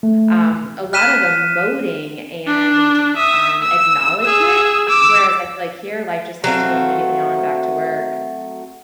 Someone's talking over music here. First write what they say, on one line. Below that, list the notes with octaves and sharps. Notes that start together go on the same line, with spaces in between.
um, a lot of emoting and, um, acknowledgment. Whereas I feel like here, life just has to go immediately on back to work.
A3
F6 F#6 B6 D#7 E7
D4
E5 D#6
E6
G#4 E6
D6 E6
F#3 A3 C4 F5